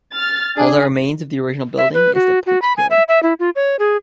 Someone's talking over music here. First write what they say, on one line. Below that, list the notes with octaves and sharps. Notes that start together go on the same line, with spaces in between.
All that remains of the original building is the portico.
F6 A6
D4 G#4
E5
B4
F#4
F#4
B5
G#5
E5
E5
E4
F4
C#5
G#4